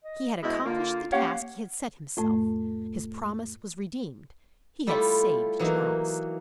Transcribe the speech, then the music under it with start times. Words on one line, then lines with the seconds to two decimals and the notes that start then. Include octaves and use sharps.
He had accomplished the task he had set himself, his promise was redeemed, he had saved Charles.
0.04 D#5
0.43 B2 G#3 E4 D#5
0.66 D3 A#3 F4
1.12 A#3 C#4 G4 C#5 F5 F#5
2.17 F2 A2 A3
4.87 G3 A3 E4 F4 G4
5.59 E3 F#3 A#3 D#4